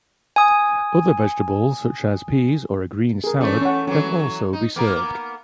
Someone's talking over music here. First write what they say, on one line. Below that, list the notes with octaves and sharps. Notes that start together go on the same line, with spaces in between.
Other vegetables such as peas or a green salad can also be served.
G#5 D#6
G#4 A#4
E3 A3 C#4
C#4 F#5
E3 F#3 C#4
D#4
A#3 B3 A#4